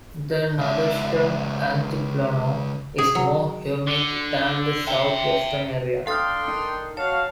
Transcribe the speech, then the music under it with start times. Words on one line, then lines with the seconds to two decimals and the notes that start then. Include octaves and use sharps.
The northeastern Altiplano is more humid than the southwestern area.
0.58 C#2 E5
2.98 G#4
3.15 F#3
3.87 D3
4.87 E5 G5
6.07 D4 A4 F5 G5 C6 D#6 F6
6.48 D#4 A#4
6.97 F#4 C#5 F5 A5